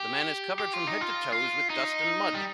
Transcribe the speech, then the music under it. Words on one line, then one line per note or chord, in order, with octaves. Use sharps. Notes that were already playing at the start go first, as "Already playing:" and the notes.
The man is covered from head to toes with dust and mud.
Already playing: G4
G4
F4
D#4
F4
F4
D#4
G3